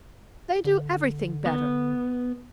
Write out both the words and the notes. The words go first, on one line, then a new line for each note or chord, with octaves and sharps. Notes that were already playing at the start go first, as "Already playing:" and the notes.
"They do everything better."
D3
B3